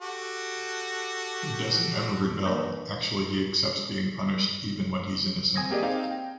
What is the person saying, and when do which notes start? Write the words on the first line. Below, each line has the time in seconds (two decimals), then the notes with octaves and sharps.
He doesn’t ever rebel, actually he accepts being punished even when he’s innocent.
0.01 F#4 G4 A4
2.45 E3 A#3 D4 A#4 C#5 D5
5.56 C4 G#5 D#6 G#6 A#6
5.70 A#3 G4 G#4 D5 D#5
5.82 C4 D#4 F5 G5
6.11 G5